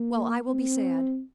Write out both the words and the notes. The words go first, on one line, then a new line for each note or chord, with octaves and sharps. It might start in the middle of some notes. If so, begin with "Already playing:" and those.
"Well, I will be sad."
Already playing: A#3
C4